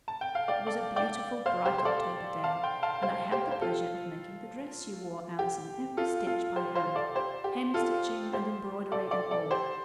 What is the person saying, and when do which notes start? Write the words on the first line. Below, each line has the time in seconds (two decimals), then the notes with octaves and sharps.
It was a beautiful bright October day, and I had the pleasure of making the dress you wore, Allison, every stitch by hand, hemstitching and embroidery and all.
0.08 A5
0.21 G5
0.35 F5
0.48 D5 G5
0.67 A4 D5
0.96 D5 G5
1.46 C5 F5
1.66 G4 C5
1.78 C5
1.85 A4 D5
2.44 F5 A5
2.63 G5 C6
2.83 F5 A5
3.03 C5 F5
3.32 G4 C5
3.51 C5
3.61 F4 A4
5.39 G4
5.97 F4 A4
6.27 F4 A4
6.56 G4 C5
6.75 C5 F5
6.95 A4 D5
7.15 G4 C5
7.44 G4
7.74 F4 A4
8.33 G4 C5
8.92 A4 D5
9.11 A4 D5
9.31 A4 D5
9.51 G4 C5